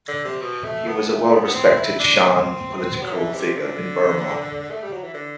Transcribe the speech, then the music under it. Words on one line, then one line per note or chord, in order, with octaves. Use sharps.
He was a well-respected Shan political figure in Burma.
D3
C3
B2
A3
B3
A3
B3
B3
C4
E4
D4
C4
F#3
E3
C3
D3
A3
G3
F#3
E3
D3